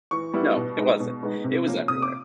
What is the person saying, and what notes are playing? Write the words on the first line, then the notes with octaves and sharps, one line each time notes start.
no, it wasn't. It was everywhere.
E3 C#6
G3 B3 E4
B2
G#3 B3 D#4
B2
G#3 B3 D#4
C3
F3 A#3 C#4 F4
C3 D#6
D6